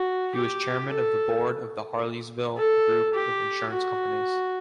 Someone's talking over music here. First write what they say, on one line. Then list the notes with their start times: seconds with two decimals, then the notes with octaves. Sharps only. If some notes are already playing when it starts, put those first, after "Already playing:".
He was Chairman of the Board of the Harleysville Group of Insurance Companies.
Already playing: F#4
0.36 G4
0.91 A4
2.58 A4
3.14 G4
3.70 F#4